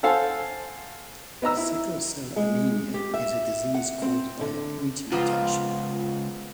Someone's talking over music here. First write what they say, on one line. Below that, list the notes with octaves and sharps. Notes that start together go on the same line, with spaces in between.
Sickle Cell anemia is a disease caused by a point mutation.
A4 C5 F5 F#5 G#5 A5
B3 D#5 A#5 E6
E4
G#3
G4
E5
F#5
C4
D3
C#2 F3 A#3 B3 F4